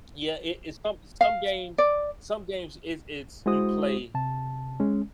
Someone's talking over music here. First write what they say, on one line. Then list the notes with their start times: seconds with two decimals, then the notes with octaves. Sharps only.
Yeah, it it's some some games some games, it's it's you play
1.21 F5
1.78 D5
3.46 G#3 E4 F#4 C5 D#6
4.14 C3 A5
4.80 G#3 C#4